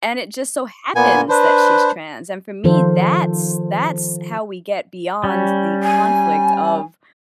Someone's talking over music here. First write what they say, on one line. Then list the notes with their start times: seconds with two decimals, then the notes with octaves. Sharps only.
and it just so happens that she's trans, and for me, that's that's how we get beyond the conflict of,
0.96 A#2 B3 G#5
1.29 D4 B4 C5
2.64 D#3 F3 F4 A4 C5
5.24 G3 C#4
5.83 G#5